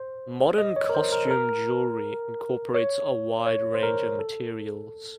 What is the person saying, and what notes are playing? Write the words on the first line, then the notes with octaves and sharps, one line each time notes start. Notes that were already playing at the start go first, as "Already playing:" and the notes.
Modern costume jewelry incorporates a wide range of materials.
Already playing: C5
D#5
C#5
A#4
C5
A#4
A4
A#4
C#5
C#5
C5
A#4
A4